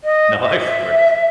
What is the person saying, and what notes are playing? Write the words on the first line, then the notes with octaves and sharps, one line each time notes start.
No, I of course.
D#5
E5